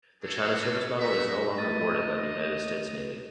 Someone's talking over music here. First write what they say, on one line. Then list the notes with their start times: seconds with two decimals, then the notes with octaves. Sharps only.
The China Service Medal is no longer awarded by the United States Navy.
0.23 A3 C4 C#4 F#4 G#4 A4
0.99 D#4 F#4 E5
1.58 A3 D#5 A6